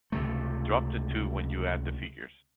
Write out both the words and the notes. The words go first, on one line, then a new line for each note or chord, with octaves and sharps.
Drop the two when you add the figures.
C#2 C3 A3